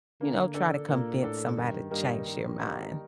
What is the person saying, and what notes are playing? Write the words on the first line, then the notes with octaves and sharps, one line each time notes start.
you know, try to convince somebody to change their mind.
D3 A#3
D4 A4
A#2 A#3
A2 D4 A4
G2 D#3
G2 G3 A#3 D#4 A#4
G2 D#3
G3 A#3 D#4 A#4